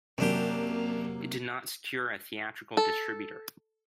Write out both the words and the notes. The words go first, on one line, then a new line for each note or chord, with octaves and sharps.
It did not secure a theatrical distributor.
F#2 C3 F#3 A#3 D4 G4
A4